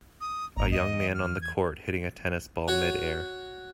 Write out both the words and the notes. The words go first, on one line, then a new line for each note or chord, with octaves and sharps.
A young man on the court hitting a tennis ball midair.
D#6
G#1 A#2 A#5
E2 D#5
F6
G#6
F#4 C#5